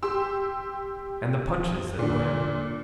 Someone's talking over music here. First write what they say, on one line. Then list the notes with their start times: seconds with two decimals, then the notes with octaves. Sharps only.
'And the Punches,' said William.
0.03 G4 G5 C6 E6
1.99 A#2 D3